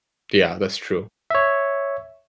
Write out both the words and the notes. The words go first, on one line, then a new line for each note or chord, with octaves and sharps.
Yeah, that's true.
C#5 E5